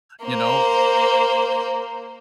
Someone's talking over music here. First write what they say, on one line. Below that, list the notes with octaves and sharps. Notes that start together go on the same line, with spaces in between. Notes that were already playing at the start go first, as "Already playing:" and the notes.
you know,
A#3 C5